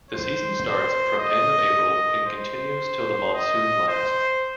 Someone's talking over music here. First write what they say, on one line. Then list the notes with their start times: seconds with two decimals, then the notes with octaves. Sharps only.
The season starts from end of April, and continues till the monsoon lasts.
0.11 C5
0.64 C5
1.18 D#5
2.26 C5
3.34 D#5
3.88 C5